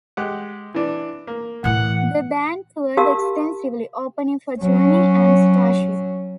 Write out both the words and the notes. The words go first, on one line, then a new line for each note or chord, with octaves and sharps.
The band toured extensively, opening for Journey and Starship.
G#3 G4 F#5
E3 D4
A#3
A2 E3 F#5
F#4 G4 A#4 F5 A5 E6
F#3 C#4